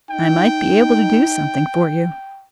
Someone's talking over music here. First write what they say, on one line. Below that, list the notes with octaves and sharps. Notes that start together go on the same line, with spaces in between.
'I might be able to do something for you.
D#4 G5